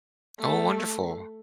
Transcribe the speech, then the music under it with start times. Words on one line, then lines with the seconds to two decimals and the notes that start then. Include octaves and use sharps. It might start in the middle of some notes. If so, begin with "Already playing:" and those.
Oh, wonderful.
0.40 A3